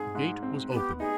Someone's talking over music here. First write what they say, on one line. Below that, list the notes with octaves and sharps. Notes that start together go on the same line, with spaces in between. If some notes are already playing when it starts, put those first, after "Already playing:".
The gate was opened.
Already playing: G#2 C4 G#4
G#2
C4
B3 G4
D#4 G#4